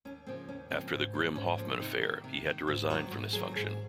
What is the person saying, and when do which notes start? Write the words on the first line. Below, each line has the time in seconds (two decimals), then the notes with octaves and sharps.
After the Grimm-Hoffmann Affair he had to resign from this function.
0.05 D#2 C#4
0.27 C#3 F3 A#3 C4
0.48 D#2 C#4
0.70 C#3 F3 A#3 C4
0.93 G#2
1.14 F3 A#3
1.36 G#2 C#4
1.58 F3 A#3 C#4
1.80 C3 D#4
2.01 D#3 A#3
2.24 C3
2.46 D#3 A#3
2.67 G#2 F4
2.90 D#3 F#3 A#3 F#4
3.11 G#2 F#4
3.33 D#3 F#3 A#3 G#4
3.56 G#2 G#4